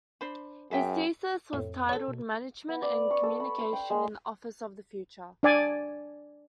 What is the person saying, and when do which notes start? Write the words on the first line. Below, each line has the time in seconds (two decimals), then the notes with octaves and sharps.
His thesis was titled Management and Communication in the Office of the Future.
0.21 D4 C5 B5
0.71 F#2 G#4 E5 G5
1.53 F2 A2
1.89 A4 C#5
2.08 B2
2.68 B3
2.82 D5
3.10 C#6
3.23 A4
3.40 B5
3.58 C6
3.73 G5
3.90 G#3
5.43 D4 D5 G#5